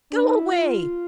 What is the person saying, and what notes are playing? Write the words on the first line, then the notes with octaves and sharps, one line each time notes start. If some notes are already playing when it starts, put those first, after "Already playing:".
Go away.
D4
D#4
E4
F4